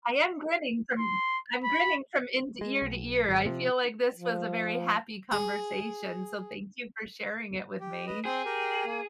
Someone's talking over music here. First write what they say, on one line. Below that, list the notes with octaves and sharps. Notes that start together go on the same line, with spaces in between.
am grinning from I'm grinning from in ear to ear. I feel like this was a very happy conversation, so thank you for sharing it with me.
C6
B5
G#3
B1
G#1
C3 F3
F3
G#4
G4
B4 D#5
C4 G#4 G5 C6
G4 A#4 G5
A#3